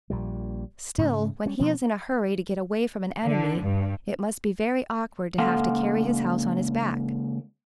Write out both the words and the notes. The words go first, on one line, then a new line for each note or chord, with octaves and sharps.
Still, when he is in a hurry to get away from an enemy, it must be very awkward to have to carry his house on his back.
A#1 A#2 G3
G#2 C#3 A3
G3 C#4
B2 F3 B3 C4
D3
G2
C#2 A#3 A4 F5 F#5 C6